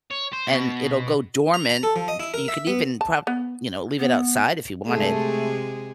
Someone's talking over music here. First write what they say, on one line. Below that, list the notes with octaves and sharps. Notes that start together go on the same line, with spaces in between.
and it'll go dormant, c you could even prob you know, leave it outside if you wanted,
C#5
C5
B2
A#5
A#5
A4
F3
D#5
E4
A#4
E5
B3
A5
B3
B3
C3 G#3 A3 G#4